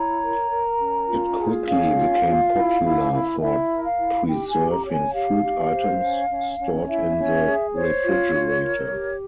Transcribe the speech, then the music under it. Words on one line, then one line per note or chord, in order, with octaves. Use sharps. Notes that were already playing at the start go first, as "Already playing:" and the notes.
It quickly became popular for preserving food items stored in the refrigerator.
Already playing: E4 C#5 A#5
A#4
A#4
C#4
F4
G#4
C#4 F5
F4
F4
E4
E4
E4
E4 E5
A#4
F5
E4
G4 G5
G#5
G4
A#5
C#5
G#5
G4 F5
G4
C5
C#4
C#4
C#4
E4 E5
C#4
G#4
C5 C#5
F4
F4
A#4
G4